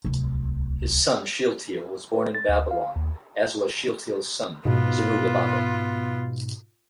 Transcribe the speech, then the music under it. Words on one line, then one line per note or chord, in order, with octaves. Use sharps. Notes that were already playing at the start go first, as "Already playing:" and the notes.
His son Shealtiel was born in Babylon, as was Shealtiel's son Zerubbabel.
D1 C2
B4
A6
D2
F5
D#2
G#2 B2 B3 F4